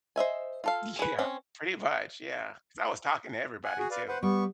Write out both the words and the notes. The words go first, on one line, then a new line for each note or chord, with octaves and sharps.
Yeah. Pretty much, yeah, 'cause I was talking to everybody too.
C5 D#5 E5 G#5
F4 A4 F5
G#4 B4
C4 C#4 C#5
F#5 G#5
F#4 G#4
B4 D5 F5
B4 C5 F#5
G3 B3 C#6